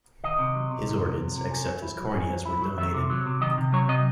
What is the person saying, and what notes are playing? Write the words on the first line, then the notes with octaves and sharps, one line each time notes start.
His organs except his corneas were donated.
D#3 D#5
C3
F#3
C3
D#3
C3
F#3
C3
C#4
F#3
E4
F#3
C#4
F#3
E4
F#3
D#3 E5
C3
F#3
C3
D#3 D#5
C3
F#3 C#5
C3 D#5